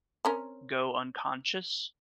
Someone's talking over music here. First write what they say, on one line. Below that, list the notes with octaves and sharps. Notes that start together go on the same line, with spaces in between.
go unconscious?
C4 C#4 A#4